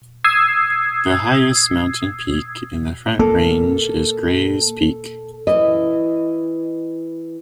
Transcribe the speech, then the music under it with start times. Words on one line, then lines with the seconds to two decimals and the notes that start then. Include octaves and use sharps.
The highest mountain peak in the Front Range is Grays Peak.
0.24 D#6 E6 G#6 C7
3.19 A#3 A4
5.47 E3 D#5